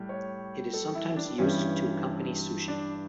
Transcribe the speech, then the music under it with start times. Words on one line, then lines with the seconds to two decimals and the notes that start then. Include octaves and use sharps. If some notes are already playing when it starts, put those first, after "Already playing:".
It is sometimes used to accompany sushi.
Already playing: A2 G3
0.09 C#5
0.74 A4
0.95 E4
1.16 D4
1.38 G2 E3 G3 C#4
2.68 D4